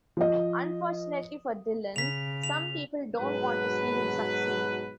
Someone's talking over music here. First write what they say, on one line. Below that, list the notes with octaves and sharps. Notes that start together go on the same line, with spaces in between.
Unfortunately for Dillon, some people don't want to see him succeed.
F3 D#5
C#3 B6 F7
F7
G#2 B2 F#3 B4